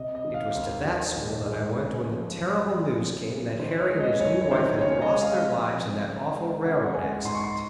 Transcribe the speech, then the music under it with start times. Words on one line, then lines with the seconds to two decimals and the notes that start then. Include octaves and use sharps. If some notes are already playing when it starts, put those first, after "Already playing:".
It was to that school that I went when the terrible news came that Harry and his new wife had lost their lives in that awful railroad accident.
Already playing: C3 D#5
0.15 D#5
0.25 D#3
0.34 F5
0.55 D#2
0.85 D#3
1.15 A#2
1.47 G#3
1.78 C#3
2.08 F3
2.37 F#2
2.68 F3
2.99 C#3
3.29 F3
3.60 D#3 C5
3.80 C#5
3.90 G#3
4.00 D#5
4.20 F#2 C#5
4.41 C#5
4.51 D#3 C5
4.81 C#3 C#5
4.92 C#5
5.02 D#5
5.12 G#3
5.22 F5
5.43 F3
5.74 C4
6.03 C#3
6.34 G#3
6.64 C#3 F#5
6.84 F#5
6.95 G#3 G#5
7.25 G#2 C6
7.35 C#6
7.44 C6